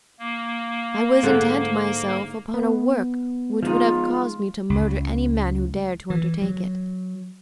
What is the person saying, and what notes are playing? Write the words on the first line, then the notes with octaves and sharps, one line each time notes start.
I was intent myself upon a work which would have caused me to murder any man who dared to undertake it.
A#3
G#2 D3 F#5
B3
F3 G#3 D#4 F4
C#2
E3
F#3